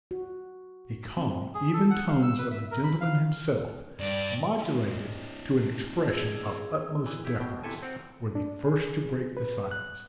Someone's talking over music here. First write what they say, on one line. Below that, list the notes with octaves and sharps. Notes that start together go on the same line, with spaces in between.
The calm even tones of the gentleman himself, modulated to an expression of utmost deference, were the first to break the silence.
F#4
C4
G#4
A4
F#5
F5
E6
B4
E5
A#4
B5
F5
G2 D5
C#4 D#4
G#4 E6
E3
E4 G4
B2 G5
C3 E4 A4 G#5
C4 C5 F#5 G5 A#5
D4
G#4
B4
F#6